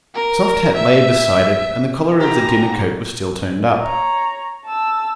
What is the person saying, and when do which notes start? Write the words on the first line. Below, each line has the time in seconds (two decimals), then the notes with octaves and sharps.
A soft hat lay beside it, and the collar of the dinner-coat was still turned up.
0.14 A#4
0.75 E5
2.20 G#2 D#4 G4 A#5
3.79 C#5 A#5
4.66 A5 E6